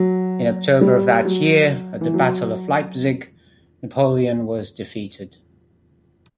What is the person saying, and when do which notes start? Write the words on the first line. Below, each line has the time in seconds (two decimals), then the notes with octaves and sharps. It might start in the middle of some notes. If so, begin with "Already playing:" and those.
In October of that year, at the Battle of Leipzig, Napoleon was defeated.
Already playing: F#3
0.81 G3
1.25 F#3
2.01 E3
2.14 F#3